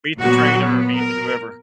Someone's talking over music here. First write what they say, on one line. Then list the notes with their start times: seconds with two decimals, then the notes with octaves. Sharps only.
Meet the trainer or meet whoever.
0.19 A#2 F#3 B3 F#4
0.57 B3
0.96 A#4